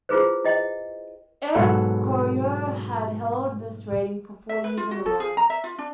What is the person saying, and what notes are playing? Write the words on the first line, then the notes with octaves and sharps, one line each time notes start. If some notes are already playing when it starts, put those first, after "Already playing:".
Air Koryo had held this rating for four years in a row.
E4 F4 G#4 B4 C5
E4 D#5 G5
G#2 B2 F#3 A4 F5 F#5
E5
B4
F4
F#4
A4
G#4
A#5
E5
F4
D4